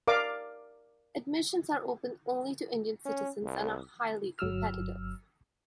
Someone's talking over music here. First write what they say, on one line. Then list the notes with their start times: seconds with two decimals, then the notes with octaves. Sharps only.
Admissions are open only to Indian citizens, and are highly competitive.
0.07 A#4 D5 F5 D6
3.05 C#4
3.43 C2
4.39 G1 F#3 E6 F6